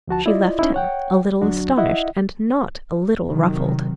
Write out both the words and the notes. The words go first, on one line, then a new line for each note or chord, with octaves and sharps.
She left him, a little astonished and not a little ruffled.
D2 F3 F#4 A5
E4 F4 D5 D#5
C#4 D#4 E4
C#5 F#5 G5
D2 F#3 D4 F#4
E4 D#5 E5 F#5
C3 D#3 F#3